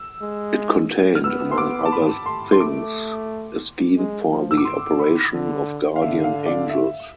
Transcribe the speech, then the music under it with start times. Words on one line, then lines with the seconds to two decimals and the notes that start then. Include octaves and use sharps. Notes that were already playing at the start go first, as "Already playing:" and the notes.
It contained, among other things, a scheme for the operation of guardian angels.
Already playing: E6
0.22 G#3
1.15 F6
1.24 B3 E6
1.51 C6
1.58 D6
1.85 A5
1.92 B5
2.26 C6
2.52 C6
2.60 A3 D6
3.97 G#3
4.31 F3
4.51 E6
4.57 D6
4.65 C6
4.99 B5
5.33 D3
5.96 F5
6.01 D3 E5
6.24 F5
6.46 D5
6.70 E5